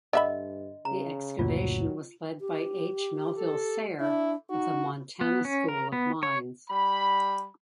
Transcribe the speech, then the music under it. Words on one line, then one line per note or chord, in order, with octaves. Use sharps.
The excavation was led by H. Melville Sayre of the Montana School of Mines.
G2 D3 D#5 E5 B5
C#3 A#5
F#1 D2 A#2 F#3 F4
G4
A4
D4 E4
D#4 F#4
B3
C#4
A#4
B3
C#5
G3 B5